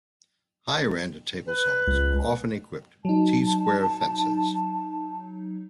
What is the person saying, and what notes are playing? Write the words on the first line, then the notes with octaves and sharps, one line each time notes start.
Higher-end table saws are often equipped with T-square fences.
B4
C#2
F#3 D#4 A5